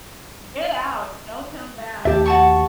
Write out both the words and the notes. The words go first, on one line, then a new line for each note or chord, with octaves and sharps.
Get out, don't come back.
D#2 A3 D4 G4 E5 A5
F#4 A5 C#6